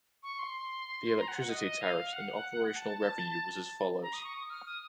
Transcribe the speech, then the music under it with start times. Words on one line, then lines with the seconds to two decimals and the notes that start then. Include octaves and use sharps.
The electricity tariffs and operational revenue was as follows.
0.23 C#6
0.39 C6
1.18 A#5
1.28 F#5
1.39 F#5
1.49 D#5
1.81 F5
2.13 F#5
2.76 A5
4.03 A#5
4.13 D#6
4.24 C#6
4.34 D#6
4.50 F6
4.66 D#6